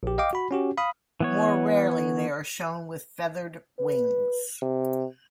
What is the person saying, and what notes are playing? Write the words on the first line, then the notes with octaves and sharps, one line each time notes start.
More rarely, they are shown with feathered wings.
A#1 G4
D#5 F5 G5 D6
F#4 B5
C#4 F#4 G4
F5 B5 D#6
E3 B3 C#5
B4
C3